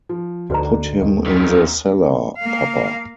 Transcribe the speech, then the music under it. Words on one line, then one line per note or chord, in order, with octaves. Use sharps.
Put him in the cellar, papa.
F3
D2 D3 D#4 F#4 B4 A#5
D#2 D#3
F2 D#3 B6
A#3 F5